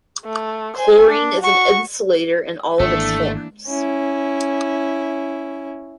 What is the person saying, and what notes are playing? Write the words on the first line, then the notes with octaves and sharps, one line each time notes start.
Chlorine is an insulator in all of its forms.
A3
C5 G#5
D4
F#4 C#6
G#1 E3 A3 A#3 D4 E6
C#4 E4